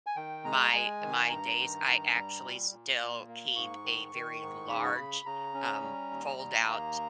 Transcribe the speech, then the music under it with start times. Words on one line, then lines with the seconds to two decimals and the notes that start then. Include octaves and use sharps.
my my days, I actually still keep a very large, um, fold-out
0.07 G#5
0.16 D#3 G5
0.44 G#3 A#5
0.73 G#3 G#5
1.01 D#3
1.29 G2 A#5
1.58 D#3
1.86 G2
2.14 G3
2.43 A#2
2.71 A#2
2.99 A#2
3.28 A#3
3.56 G#2 C#6
3.84 D#3
4.13 D#3
4.41 G#2
4.69 C#3 B5
4.83 C#6
4.95 C#3 B5
5.25 C#3 A#5
5.54 C#4
5.82 G3
6.11 D#2
6.39 D#2 A#5
6.67 A#3